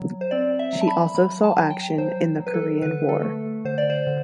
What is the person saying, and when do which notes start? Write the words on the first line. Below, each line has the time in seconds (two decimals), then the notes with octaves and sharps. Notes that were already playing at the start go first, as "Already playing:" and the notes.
She also saw action in the Korean War.
Already playing: F#3
0.21 C5
0.31 C4 D5
0.59 E5
0.73 F#3
0.81 A5
0.88 B5
1.15 F#3 B5
1.43 A5
1.57 F#3
1.70 G5
1.98 F#3 C5
2.40 F#3
2.47 B4
2.54 A4
2.82 D3 B4
3.09 A4
3.23 A3
3.65 D3 C5
3.78 D5
3.90 C5
4.07 D3